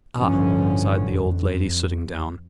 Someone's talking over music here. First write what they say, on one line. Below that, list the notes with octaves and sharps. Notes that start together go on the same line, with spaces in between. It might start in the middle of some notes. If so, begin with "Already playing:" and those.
"Ah," sighed the old lady, sitting down.
A1 G2 D3 E3 F3 C#4
F2